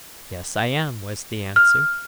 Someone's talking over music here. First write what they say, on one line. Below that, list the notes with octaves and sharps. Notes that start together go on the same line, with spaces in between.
'Yes, I am,' was the answer.
F6